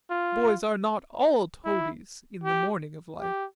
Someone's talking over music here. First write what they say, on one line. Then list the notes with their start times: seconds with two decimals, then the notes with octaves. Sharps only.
Boys are not ALL toadies in the morning of life.
0.10 F4
1.65 E4
2.44 G4
3.21 G4